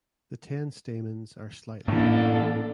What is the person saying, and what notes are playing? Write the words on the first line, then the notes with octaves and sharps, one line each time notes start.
The ten stamens are slightly hairy.
A2 E3 A#3 D4 A4